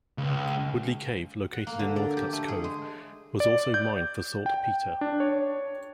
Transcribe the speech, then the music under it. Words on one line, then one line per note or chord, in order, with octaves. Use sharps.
Woodlee Cave, located in Northcutts Cove, was also mined for saltpeter.
C#2
F#5
A#3
D3
D5
G4
A3
G#4
G#3
D5
G6
G5
D4
C#5